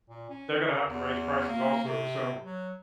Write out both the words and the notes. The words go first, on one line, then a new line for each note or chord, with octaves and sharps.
they're gonna have to raise prices also. So,
A#2
C#4
A#4
E2
A#3
C3
F#3